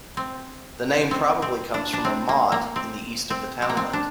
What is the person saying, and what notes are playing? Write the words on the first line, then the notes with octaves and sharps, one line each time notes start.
The name probably comes from a motte in the east of the townland.
C4
C4
C4
D4
D4
C4
A#3
A#3
C4
C4
C4
A#3
C4
D4